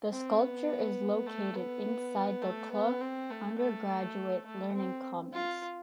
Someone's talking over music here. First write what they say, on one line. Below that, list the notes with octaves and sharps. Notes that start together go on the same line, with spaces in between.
The sculpture is located inside the Clough Undergraduate Learning Commons.
C4
B3
A3
B3
A3
B3
C4
A3
A3
A3
C4
F4